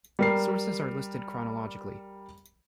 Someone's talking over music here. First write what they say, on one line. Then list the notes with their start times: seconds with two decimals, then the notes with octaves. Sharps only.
Sources are listed chronologically.
0.19 G3 A#4 C7